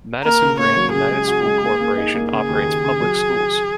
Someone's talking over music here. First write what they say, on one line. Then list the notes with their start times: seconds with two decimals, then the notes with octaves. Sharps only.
Madison-Grant United School Corporation operates public schools.
0.24 A#3 A#4
0.42 C#3
0.59 A#3 C#5
0.77 F#3
0.93 C#3 G#4
1.10 G#3
1.28 F#4
1.45 G#3
1.63 A#3
1.80 A#3
1.97 D#4
2.14 A#3
2.31 C#3 G#4
2.49 D#2
2.66 D#2
2.83 C#3
3.00 F#3